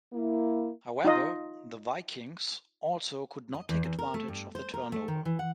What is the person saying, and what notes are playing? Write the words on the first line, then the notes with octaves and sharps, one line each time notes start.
However, the Vikings also could not take advantage of the turnover.
A#3 E4
D#4 F4 D#5
D#5
E2
E2
A#4
A3
G2
C5
A#4
A3
D#3
E3
F#5